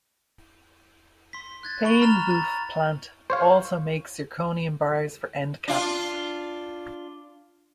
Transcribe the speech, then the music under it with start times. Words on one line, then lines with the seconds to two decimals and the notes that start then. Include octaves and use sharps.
Paimboeuf plant also makes zirconium bars for end caps.
1.33 C6 B6
1.63 F#6 G#6 A6
1.84 B5 C#6 G7
2.01 A#5 F6 A6 E7 F7
2.31 A6
3.30 C5 C#5 F5
5.68 D4 F4